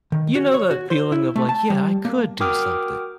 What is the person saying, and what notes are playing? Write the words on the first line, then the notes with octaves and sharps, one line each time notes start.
You know that feeling of like, "Yeah, I could do something,"
D#3
F#4
C#5
F#4
C5
E4
A3
A5
G3
A#3
F#4 A#4 G5 D6 D#6 F6